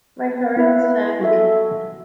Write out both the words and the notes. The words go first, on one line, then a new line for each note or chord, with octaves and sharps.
My heart sank.
B3 E4 B4 E5
F#4 A4 E5